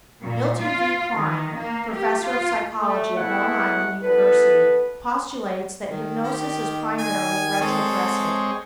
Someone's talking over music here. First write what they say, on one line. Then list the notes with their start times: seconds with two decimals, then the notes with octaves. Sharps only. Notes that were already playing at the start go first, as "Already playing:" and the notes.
Milton V. Kline, professor of psychology at Long Island University, postulates that hypnosis is primarily retrogressive.
0.23 A#2
0.60 F4
1.14 D#3
1.55 A#3
1.92 G4
2.22 F4
2.79 A3
3.16 G#3 A3 B3 E4 E5 F#5
4.02 B3 E4 A4 B4
5.88 D#3
6.24 G4
6.99 G#5
7.61 G#3 C4 A4 C#5